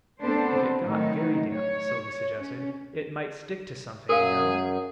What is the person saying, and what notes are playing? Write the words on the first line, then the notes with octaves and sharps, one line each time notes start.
"If it got very damp," Sylvie suggested, "it might stick to something, you know."
B3 C4 D4 A4 C5
A2 D#3 F#3 D#4
C#5
C#4
F#2 G#4 A#4 F5